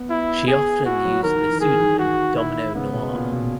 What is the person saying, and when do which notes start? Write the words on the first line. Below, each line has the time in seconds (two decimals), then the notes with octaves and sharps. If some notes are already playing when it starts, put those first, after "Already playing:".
She often used the pseudonym Domino Noir.
Already playing: B3
0.10 E4
0.48 G#4
0.85 E4 F#4
1.05 F#3
1.23 D#3 A#4
1.35 D#3
1.49 E3
1.61 D#3 G#4
1.80 D#3
1.99 F#4
2.37 E4
2.75 C#3 B3
2.93 B2
3.13 A#2
3.32 B2
3.43 B2